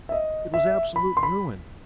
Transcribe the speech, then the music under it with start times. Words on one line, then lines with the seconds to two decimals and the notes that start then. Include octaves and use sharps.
It was absolute ruin.
0.09 E5
0.12 D#5
0.54 E5
0.96 B5
1.17 C6
1.23 B5